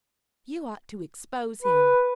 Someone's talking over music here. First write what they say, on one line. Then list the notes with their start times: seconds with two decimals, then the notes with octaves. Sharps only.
"You ought to expose him."
1.63 B4